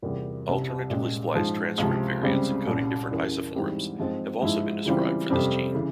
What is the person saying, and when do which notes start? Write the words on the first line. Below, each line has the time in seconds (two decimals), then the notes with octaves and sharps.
Alternatively spliced transcript variants encoding different isoforms have also been described for this gene.
0.02 E2 C3 G3 A#3 F4
0.47 C2 C3 G3
0.90 A#2 G#3 C#4 G4
1.35 G#2 F3 G#3
1.78 C#2 C3 F3
2.23 C#2 C#3 G3 C4
2.67 C2 A#2 G3 C#4
3.11 E2 E3 A#3 C#4
3.55 G#2 E3 G3 C4 G4
3.98 G#2 F3 G#3 C4
4.42 G#2 F3 G#3 E4
4.86 C#3 E3 G3 C4 F4
5.30 F2 C3 G3 C4
5.75 C#3 E3